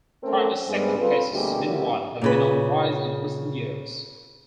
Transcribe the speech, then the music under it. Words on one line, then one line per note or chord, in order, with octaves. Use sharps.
Private sector cases meanwhile have been on the rise in recent years.
A3 C4 C#4 A4 A#4
G2 G3 G#3 B3 C4 G#4
C4 F4 A4 B4
D2 B2 G3 A#3 G4 G#4
D2 A#2 F#3 E4 G4 A#4
A#2 C#3 B4